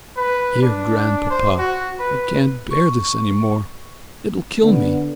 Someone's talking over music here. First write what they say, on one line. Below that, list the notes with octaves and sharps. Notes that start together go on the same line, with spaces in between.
Dear Grandpapa, I can't bear this any more, it'll kill me...
B4
D4
C5
F#4
B4
C#6
D3 B3